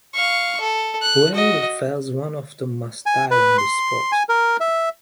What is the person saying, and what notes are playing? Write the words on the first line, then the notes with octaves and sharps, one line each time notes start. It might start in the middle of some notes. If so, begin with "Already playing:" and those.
Whoever fells one of them must die on the spot.
F5 C#6
A4
F#6
F#4 D#5
G#5
B4
C6
G#5
A#4
E5